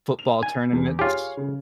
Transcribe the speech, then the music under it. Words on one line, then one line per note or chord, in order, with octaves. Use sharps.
football tournaments.
F7
G#5
E2
F4 G4 G#4 C#5 F5
C#3